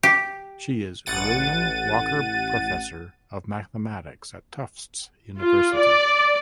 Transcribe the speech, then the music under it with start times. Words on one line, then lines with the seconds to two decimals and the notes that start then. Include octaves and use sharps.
She is William Walker Professor of Mathematics at Tufts University.
0.03 G4
1.06 A1 F#5 A6 D#7
5.39 F4
5.78 D5